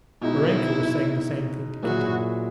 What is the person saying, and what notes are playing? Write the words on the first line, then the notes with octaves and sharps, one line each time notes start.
Varenka was saying the same thing to Kitty.
B2 G#3 D#4 E4
A#2 F#3 A#3 E4 F#4 G#4